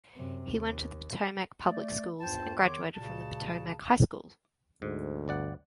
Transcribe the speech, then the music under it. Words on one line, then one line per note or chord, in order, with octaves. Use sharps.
He went to the Potomac public schools and graduated from the Potomac High School.
F#2 C3
D#2
A3 D5
E2 G2 F4 C5 G5 A5
E2 D#3 C#5 C6 D6
C#2 A#2 C#3 F#4 A5
D2 G#2
G1 D5 F#5